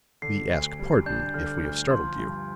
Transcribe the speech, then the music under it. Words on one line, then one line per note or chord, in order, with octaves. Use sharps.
"We ask pardon if we have startled you."
D3 C7
D2
G3
D4 G6
D3 F6
D2
F3 C6
G2